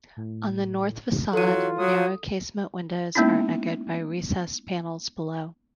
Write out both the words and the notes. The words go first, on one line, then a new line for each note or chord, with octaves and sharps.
On the north facade, narrow casement windows are echoed by recessed panels below.
A2
E3 F#3 F4 A4 D#7
F#3 D#6
G#3 A#3 B3 C#4 D#4 E4